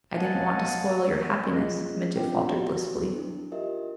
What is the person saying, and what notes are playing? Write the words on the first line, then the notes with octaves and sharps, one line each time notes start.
"I didn't want to spoil your happiness!" Mitya faltered blissfully.
D#5 F5 F#5 G#5 A5
C#4 F4 G#4 D#5 A#6
B3 C4 D4 F4 G5
F#4 G4
D4 E4
F4 G4 A#4 D#5 E5